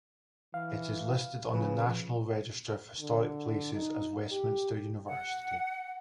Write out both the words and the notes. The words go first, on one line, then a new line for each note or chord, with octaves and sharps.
It is listed on the National Register of Historic Places as Westminster University.
E3 F5
C#3 F3 B4
D3
D#4
G4
F#5